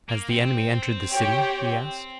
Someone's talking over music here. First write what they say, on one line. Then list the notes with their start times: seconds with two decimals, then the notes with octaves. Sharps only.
"Has the enemy entered the city?" he asked.
0.09 A#3
0.30 C4
1.10 G4 C#5 G5